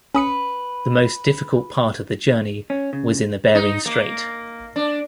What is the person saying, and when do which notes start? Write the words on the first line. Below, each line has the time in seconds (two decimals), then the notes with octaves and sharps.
The most difficult part of the journey was in the Bering Strait.
0.14 C#4 B4 B5 D#6 C#7
2.70 C#4
2.93 C#3
3.55 D#4
3.86 A#3
4.76 D4